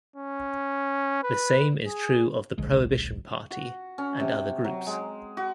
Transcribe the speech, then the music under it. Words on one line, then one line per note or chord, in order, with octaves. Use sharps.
The same is true of the Prohibition Party and other groups.
C#4
B4
G#4
D1 A#1 D3 G#3
F#4
C#4
C3
F#3
G#3
F#4